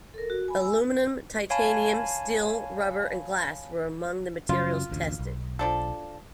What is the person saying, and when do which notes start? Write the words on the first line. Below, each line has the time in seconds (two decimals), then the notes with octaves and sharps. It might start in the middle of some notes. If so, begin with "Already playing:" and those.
Aluminum, titanium, steel, rubber and glass were among the materials tested.
0.14 A4 A#4
0.30 F#4
0.48 G#5 B5
0.62 G#5 E6
1.50 C#5 F5 G#5 A5 B5
4.49 F#2 C#3 F#3 F4
4.90 A1 D2
5.19 B1
5.59 F3 D4 A4